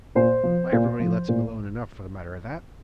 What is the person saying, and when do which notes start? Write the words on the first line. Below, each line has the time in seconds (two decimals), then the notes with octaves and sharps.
'Why everybody lets him alone enough, for the matter of that.
0.15 A#2 C5
0.43 F3
0.72 A#2
1.00 F3
1.28 A#2